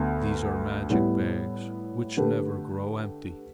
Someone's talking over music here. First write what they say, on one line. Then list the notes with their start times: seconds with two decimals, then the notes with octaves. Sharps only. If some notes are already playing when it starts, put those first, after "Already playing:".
These are magic bags which never grow empty.
Already playing: D2 D3 B3
0.89 A2 G3 B3 E4
2.17 D3 A3 G4 B4